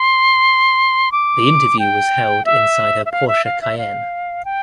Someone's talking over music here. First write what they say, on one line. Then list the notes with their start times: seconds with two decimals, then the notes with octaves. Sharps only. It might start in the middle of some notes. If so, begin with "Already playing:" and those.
The interview was held inside her Porsche Cayenne.
Already playing: C6
1.12 D6
1.79 G5
2.45 E5
3.06 E5
3.12 F5
3.28 E5
3.45 F5
3.62 E5
3.78 F5
4.45 G5